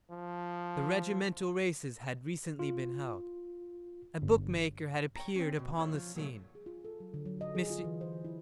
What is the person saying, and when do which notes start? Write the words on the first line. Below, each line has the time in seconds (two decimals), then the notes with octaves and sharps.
The regimental races had recently been held; a bookmaker had appeared upon the scene--Mr.
0.11 F3
2.59 F4
4.22 G1
5.16 C#5 G5 A#5
5.36 C4 C#4
5.59 B2
5.77 D#2 E4 G4 C#5
5.94 F3
6.15 C2 A#2 D3 F#3 A3
6.55 G#4
6.66 F4
6.85 A4
7.00 F#3
7.14 D3
7.26 F#3
7.41 D#5
7.55 G#4
7.70 F4
7.84 E3
8.01 C5
8.25 E4